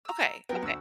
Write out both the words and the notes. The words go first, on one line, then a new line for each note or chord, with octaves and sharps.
Okay, okay.
A#5 E6
F#3 B3 A#4 G5
D2 F#4 E6